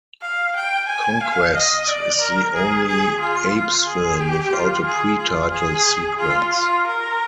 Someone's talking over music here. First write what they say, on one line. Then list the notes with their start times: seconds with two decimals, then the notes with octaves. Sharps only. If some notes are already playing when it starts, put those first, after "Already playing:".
"Conquest" is the only Apes film without a pre-title sequence.
0.22 F5
0.55 G5
0.88 G#5
1.21 F5
1.55 D#5
1.87 D5
2.21 A#4
2.55 G#4
2.88 G#4
3.20 F4
3.54 F4
3.87 G#4
4.20 G4
4.53 F4
4.86 G#4
5.20 F4
5.53 G#4
6.19 F4
6.53 F4
6.87 A#4